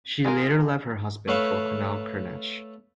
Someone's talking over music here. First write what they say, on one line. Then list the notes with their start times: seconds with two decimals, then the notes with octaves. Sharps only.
She later left her husband for Conall Cernach.
0.25 G#3 F4 G#4 A#4
1.28 A3 B4 C#5 E5 F5